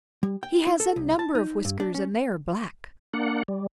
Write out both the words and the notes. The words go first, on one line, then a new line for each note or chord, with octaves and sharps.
He has a number of whiskers and they are black.
G3
G5
E4
A4
C2
A5
D#4
G2
D4
C#4
A#3 D4 F#5
G3